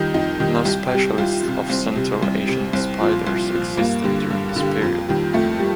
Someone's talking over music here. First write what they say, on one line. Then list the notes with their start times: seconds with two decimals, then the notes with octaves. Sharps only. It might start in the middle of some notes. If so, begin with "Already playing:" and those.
No specialists of Central Asian spiders existed during this period.
Already playing: F2 D#3 G3 D#4
0.14 F2 D#4
0.40 D#3 G3
0.65 C2 G4
0.92 C3 G3
1.18 C2 F4
1.43 C3 G3
1.69 C2 C4
1.96 C3 G3
2.23 C2
2.48 C3 G3
2.73 C2 C4
3.00 A#2 F3
3.27 C2
3.53 A#2 F3
3.77 G2 A#3
4.04 D3 G3
4.30 G2
4.56 D3 G3
4.82 F2
5.09 D#3 G3
5.33 F2 A3
5.60 G3